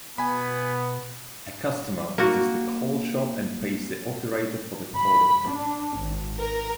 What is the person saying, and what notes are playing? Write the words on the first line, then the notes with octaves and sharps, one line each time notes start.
A customer visits the call shop, and pays the operator for the call.
B2 B3 G#5 B5
A#3 F#4
B5
D4
G#1
A#4